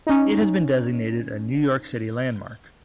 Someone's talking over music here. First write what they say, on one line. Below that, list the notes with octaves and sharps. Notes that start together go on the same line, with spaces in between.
It has been designated a New York City landmark.
C#4 D#4